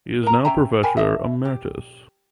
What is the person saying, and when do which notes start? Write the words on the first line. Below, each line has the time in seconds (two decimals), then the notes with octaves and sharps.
He is now Professor Emeritus.
0.23 A#4 A#5
0.45 C#4 E5 G5 A#5
0.83 A#4 G5 G#5 B5
0.97 D4 F#4 D#5 E5
1.45 G4